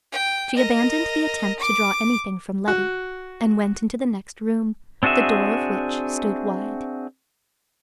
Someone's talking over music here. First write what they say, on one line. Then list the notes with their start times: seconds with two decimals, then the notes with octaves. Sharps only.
She abandoned the attempt to draw anything from Letty, and went into the next room, the door of which stood wide.
0.12 G5
0.57 A#4 D#5
1.60 D6
2.68 F#4
5.03 C4 D4 F#4 G#4 E5